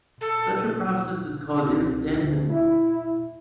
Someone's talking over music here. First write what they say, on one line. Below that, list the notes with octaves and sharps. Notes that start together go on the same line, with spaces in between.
Such a process is called an instanton.
A4
C2
D2
E4